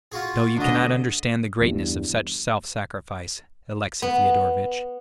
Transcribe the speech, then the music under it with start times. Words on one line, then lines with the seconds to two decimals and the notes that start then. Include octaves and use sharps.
No, you cannot understand the greatness of such self-sacrifice, Alexey Fyodorovitch.
0.12 F4 F#4 G#4
0.57 D2 D3 D4 D#5
1.61 E2 G2
4.02 B3